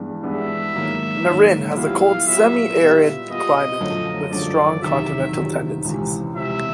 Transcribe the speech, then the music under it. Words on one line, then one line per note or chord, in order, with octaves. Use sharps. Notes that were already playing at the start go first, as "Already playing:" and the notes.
Naryn has a cold semi-arid climate with strong continental tendencies.
Already playing: G2 E3 G#3 B3 D4
G2 E3 G#3 B3 D4 E5
G#2 D#3 F#3 A#3 C#4
G#2 D#3 F#3 A#3 C#4
A#2 F#3 B3 E4 G4 F5
A#2 F#3 B3 E4 G4 E5
A#2 G3 B3
A#2 G3 B3 D#5
F#2 D3 F3 A3 C#4
F#2 D3 F3 A3 C#4 D5
E2 C3 D#3 F#3 E5
E2 C3 D#3 F#3
C#2 C3 E3
C#2 C3 E3 E5